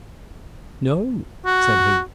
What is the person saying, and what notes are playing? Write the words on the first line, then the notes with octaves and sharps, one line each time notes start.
"No," said he.
F#4